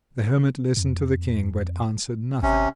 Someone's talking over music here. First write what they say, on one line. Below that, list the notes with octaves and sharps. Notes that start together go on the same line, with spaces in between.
The hermit listened to the King, but answered nothing.
F2
G#1 C3 C#4